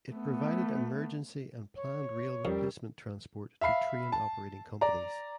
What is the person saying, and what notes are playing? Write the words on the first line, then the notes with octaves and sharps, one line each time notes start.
It provided emergency and planned rail replacement transport to train operating companies.
A3 B3
C#5
F2 G3 C#4 G4 A#4
E5 F5 B5 C7
A5
D5 A#5